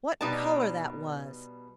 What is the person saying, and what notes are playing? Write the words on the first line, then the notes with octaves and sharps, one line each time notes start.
What colour that was!
B2 G3 D#4 B4 D5 A5